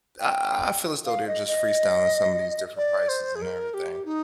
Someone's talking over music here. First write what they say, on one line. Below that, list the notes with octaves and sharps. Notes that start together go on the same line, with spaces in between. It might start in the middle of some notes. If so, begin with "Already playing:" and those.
I I feel as though they're just free-styling some of these different prices and everything,
G5
F5
D#5
D#5
D5
C5
G#4
A#4
G4
D#4